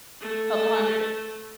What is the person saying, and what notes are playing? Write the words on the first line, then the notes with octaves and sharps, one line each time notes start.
couple hundred.
A3